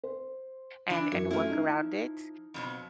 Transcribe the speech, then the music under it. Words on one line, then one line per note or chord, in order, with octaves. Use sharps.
and and work around it.
C5
E3 D4
F#2 C#5
F3 A3 C#4 E4
D#4
F2 B2 F#3